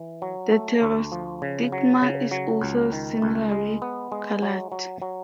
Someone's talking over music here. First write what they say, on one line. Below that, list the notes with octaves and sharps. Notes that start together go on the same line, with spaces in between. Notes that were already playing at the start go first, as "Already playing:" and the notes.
The pterostigma is also similarly colored.
Already playing: E3
F#3
A3
D2
F3
C#3
F#3
C#3
F#3
C#2
D#3
C#2
G#3
B3
G#3
F#3
F#3
F#3